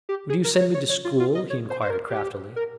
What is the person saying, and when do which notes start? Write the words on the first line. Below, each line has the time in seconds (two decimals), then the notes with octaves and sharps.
"Would you send me to school?" he inquired craftily.
0.09 G4
0.30 G#4
0.44 A#4
0.59 C#5
0.74 C#5
0.89 C#5
1.05 F4
1.20 F4
1.35 D#5
1.50 C#5
1.70 C5
1.81 C5
1.90 A#4
2.10 G4
2.56 A#4